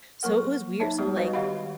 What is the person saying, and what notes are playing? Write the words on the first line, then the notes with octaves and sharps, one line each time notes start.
So it was weird. So like,
F#3 A#3 A#4 F#5
D#4 C#5 E5 A5
G3 G#3 B3 G4
F#4 B4 C#5 D#5 F5
D#3 G4 D#5 F5 F#5 B5